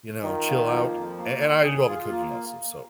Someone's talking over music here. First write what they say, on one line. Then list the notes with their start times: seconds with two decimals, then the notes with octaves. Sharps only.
you know, chill out an and I do all the cooking also, so
0.23 D#3 F4
0.47 A#3
0.71 F3
0.94 F2
1.17 A#3
1.40 D#3
1.63 G#4
1.87 F4
2.10 A#3